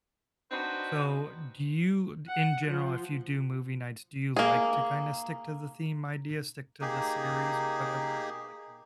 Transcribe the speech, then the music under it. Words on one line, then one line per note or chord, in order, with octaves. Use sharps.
So, do you, d in general, if you do movie nights, do you like to kinda stick to the theme idea, stick to the series or whatever, or do you like to mix up?
C4 D4 D#4 F#4 B4 C5
F#5
F3
A#3 G#4
A#3 D#4 G4 G#4